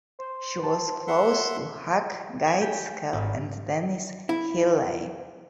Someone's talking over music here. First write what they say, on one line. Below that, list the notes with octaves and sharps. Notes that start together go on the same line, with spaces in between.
She was close to Hugh Gaitskell and Denis Healey.
C5
B4 A5
E5 F#5 C6
G#5
G4
G#1
E4